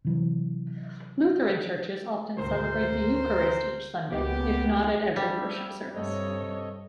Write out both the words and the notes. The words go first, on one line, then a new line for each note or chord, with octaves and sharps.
Lutheran churches often celebrate the Eucharist each Sunday, if not at every worship service.
C3 E3 F#3
G#1 D2 B2 A#4 C5
D2
C#2 A#3 B3 G4
F3 G3 D4 E5
G2 C3 A4 C#5 D#5